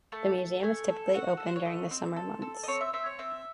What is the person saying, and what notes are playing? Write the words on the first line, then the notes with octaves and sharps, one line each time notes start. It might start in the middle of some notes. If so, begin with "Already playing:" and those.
The museum is typically open during the summer months.
A3 A5
A3
A3 G#5
A4
F#4 F#5
F#4 A4
C5
C#5
A3 D#5
C4
A4
A4
D#5
C4 C#5
E5
C4 E5
C#5
C4 E5